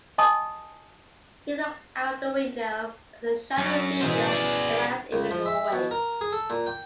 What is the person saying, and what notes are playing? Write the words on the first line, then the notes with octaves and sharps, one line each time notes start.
He looks out the window as a shadowy figure arrives in the doorway.
D#5 G#5 A5 C6 D#6
F#2 C#4
B2 E3 G#4 C5
G#4 D5
C#2
F3
E5
B2
A#4
G#4
A4
A#2
G5